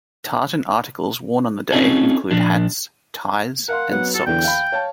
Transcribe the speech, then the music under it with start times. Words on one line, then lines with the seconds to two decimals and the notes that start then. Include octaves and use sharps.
Tartan articles worn on the day include hats, ties and socks.
1.72 C4 C#4 D#4 F4 G#4 A4
2.31 A#2 F3 D4
3.68 A#4 F5 F#5 C6
3.91 F#3 B3 F#5
4.14 F#4 A4
4.26 E2 D3 E3 G5
4.45 F5 B5
4.72 C#5 F5 A5